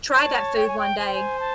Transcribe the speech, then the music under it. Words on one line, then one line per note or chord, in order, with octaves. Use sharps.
try that food one day.
C#5 A5
G5
G#5
G5
C5 G#5
G5
G#5
A5